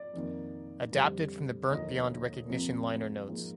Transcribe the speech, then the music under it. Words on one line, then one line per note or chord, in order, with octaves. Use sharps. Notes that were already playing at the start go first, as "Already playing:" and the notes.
Adapted from the "Burnt Beyond Recognition" liner notes.
Already playing: D5
F2 D#3 A#3
F2 D3 G3 C4
D#2 D3 F3 A#3 D#5
F2 C3 F3 A#3
G#2 F3 A#3